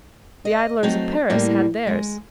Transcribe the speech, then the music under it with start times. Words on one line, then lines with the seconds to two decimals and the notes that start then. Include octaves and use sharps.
The idlers of Paris had theirs.
0.45 D#5
0.83 F#3 A3 C4 D#4
1.30 A2 G3 A#3
1.87 G#3